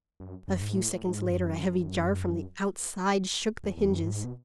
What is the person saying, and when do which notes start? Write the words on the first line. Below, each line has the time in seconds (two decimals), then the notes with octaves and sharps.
A few seconds later a heavy jar from the outside shook the hinges.
0.20 F#2
0.48 F#2
0.62 G#2
0.75 A2
1.02 G#2
1.31 F#2
3.64 E2
3.77 E2
3.91 F#2
4.04 G#2
4.24 B2